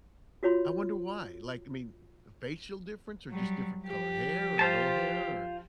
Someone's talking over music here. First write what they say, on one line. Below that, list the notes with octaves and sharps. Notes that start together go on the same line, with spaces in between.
I wonder why? Like, I mean, f facial difference, or just different color hair, or no hair, or
F4 F#4 C#5 B5 C6
F#3 G3
F3 G4
F4 C5 A5